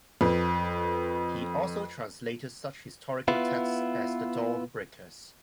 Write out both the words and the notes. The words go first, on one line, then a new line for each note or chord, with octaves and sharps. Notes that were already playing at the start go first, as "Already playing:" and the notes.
He also translated such historical texts as "The Dawn-breakers".
F2 B4
B3 E4 F4